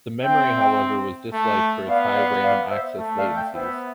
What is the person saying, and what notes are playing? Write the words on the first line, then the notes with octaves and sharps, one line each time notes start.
The memory, however, was disliked for its high random access latencies.
C4 E5 G5
A3
B3 D5 F5
D5 F5
D5 F5
C5 E5
A3
D5 F5
E5 G5
B3 C5 E5